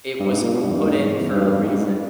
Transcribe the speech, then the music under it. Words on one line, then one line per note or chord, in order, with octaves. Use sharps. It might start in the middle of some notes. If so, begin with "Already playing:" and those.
it was put in for a reason.
G2
G#2
A#2
B2
G2
E2
G2
G#2
E2
G2
G2
G2
G#2
G2
G#2
G2